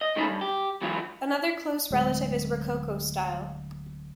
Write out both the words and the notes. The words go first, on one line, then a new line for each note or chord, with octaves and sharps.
Another close relative is rococo style.
D#5
D#3 G#3 A3 C#4 D#4 E4
G2
G4
E2 E3 F#3 G#3 F4
D1 G#3